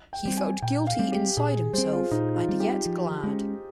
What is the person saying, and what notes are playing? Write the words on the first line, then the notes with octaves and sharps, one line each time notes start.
He felt guilty inside himself, and yet glad.
G5
G3 C4
G#5
A#2 G5
F5
G3 C4
G4
A#2 G#4
G3 C4 C5
F4
A#2 D#4
F4
G3 C4
G4
F3
G#3 C#4